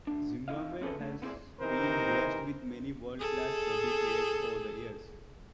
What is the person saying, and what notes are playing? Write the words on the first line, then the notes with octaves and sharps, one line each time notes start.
Zimbabwe has been blessed with many world-class rugby players over the years.
D2 D4
F2 D#3 D#4 E4 D#5 F5
C4 C#4 E4 G#4 A4 B4
D3 A3
B3 C4 E4 G#4 C5 D5
C3 E3 C4 D#4 A#4 C5
G#4 A4